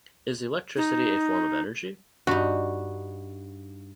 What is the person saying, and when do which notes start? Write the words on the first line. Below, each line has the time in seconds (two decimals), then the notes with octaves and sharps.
Is electricity a form of energy?
0.77 D#4
2.27 G2 D#4 F#4